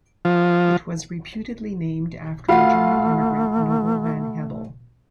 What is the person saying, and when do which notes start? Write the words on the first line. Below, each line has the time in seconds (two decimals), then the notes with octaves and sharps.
It was reputedly named after a German immigrant Noble Van Hebel.
0.25 F3
2.49 A3 F4 F#4 F5 F#5 B5